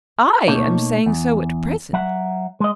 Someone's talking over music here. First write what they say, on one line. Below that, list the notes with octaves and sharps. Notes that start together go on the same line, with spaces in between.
"I am saying so at present."
B2 A3 A#3 D#4 C#5
E2
F#3 E5 F#5
G#3 D#5